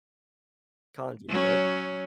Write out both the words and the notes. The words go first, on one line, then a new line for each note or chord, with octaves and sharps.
kanji, right?
F#3 C#4